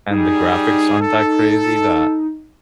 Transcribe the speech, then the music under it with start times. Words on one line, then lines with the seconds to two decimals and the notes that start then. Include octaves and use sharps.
and the graphics aren't that crazy that
0.11 G3 D#4 G#4
1.00 A4